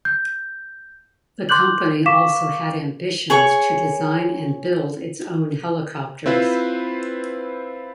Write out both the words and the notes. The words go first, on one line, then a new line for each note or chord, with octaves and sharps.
The company also had ambitions to design and build its own helicopters.
G6
C6 D6 F#6 G6 F#7
F5 C#6 D6 B6 E7
G#4 C#5 C#6
C4 E4 F4 B4 C5